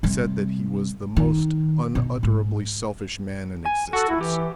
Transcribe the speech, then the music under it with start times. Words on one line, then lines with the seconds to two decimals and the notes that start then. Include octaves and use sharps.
He said that he was the most unutterably selfish man in existence.
0.03 C3 G3
1.16 D#3
1.95 B2
2.23 G#2
3.66 G#5
3.93 F#4 A4 F#5
4.09 E4
4.21 E3 G4